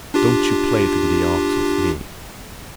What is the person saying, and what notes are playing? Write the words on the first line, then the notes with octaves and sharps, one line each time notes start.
Don't you play the giddy ox with me!
D4 F4 G4